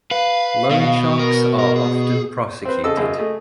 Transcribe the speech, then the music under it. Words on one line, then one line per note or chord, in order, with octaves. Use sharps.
Loan sharks are often prosecuted.
B4 F5
B2
A#4
A#4
G#4
C4 B4 C5
C#3 A4 D#5 E6
F#2 C#3
A3 G#4